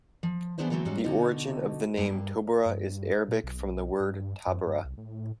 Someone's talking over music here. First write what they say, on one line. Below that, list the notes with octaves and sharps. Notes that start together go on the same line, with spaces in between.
The origin of the name "Tobarra" is Arabic from the word "Tabarrah".
F3
E3 B3 D4 G#4 C5 E5
D3 E3 F#3 A3 A#3 C4
G#2 F#3 G3 C#4
B2 D3 D#4 F#4
G2 A#3
G2
A#2
B1
G2
F#2
G2
C2
A2